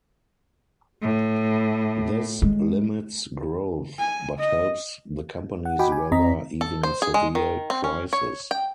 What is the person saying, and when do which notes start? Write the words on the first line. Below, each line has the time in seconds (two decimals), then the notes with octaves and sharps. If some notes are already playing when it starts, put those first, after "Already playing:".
This limits growth but helps the companies weather even severe crises.
1.02 A2
2.42 G#3
3.99 G#5
4.38 D#5
5.65 F#5
5.79 F#4 D#5 G5 G#5 B5 D6
5.92 G#5
6.12 F2 C4 D#5 A#5 B6
6.61 A4
6.83 C5
7.02 G#4
7.14 G#3
7.35 D#3
7.70 C4
7.84 C#4
8.13 C#5
8.51 G5